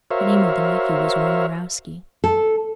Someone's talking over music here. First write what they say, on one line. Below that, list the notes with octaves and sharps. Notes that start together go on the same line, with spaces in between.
The name of the nephew was Warnarowski.
F#4 A#4 C5 C#5 E5 F5
A4